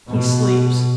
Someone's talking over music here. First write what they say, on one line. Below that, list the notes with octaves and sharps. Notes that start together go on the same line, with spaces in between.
He sleeps.
B2